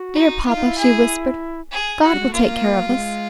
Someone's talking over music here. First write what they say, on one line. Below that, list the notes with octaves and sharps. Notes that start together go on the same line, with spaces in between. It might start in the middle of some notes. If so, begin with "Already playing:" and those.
"Dear papa," she whispered, "God will take care of us."
Already playing: F#4
D#4
E4 F4
D#4
E4
G#4
G#4
F#4
G3
G#3
A3
A#3 F4
G3
G#3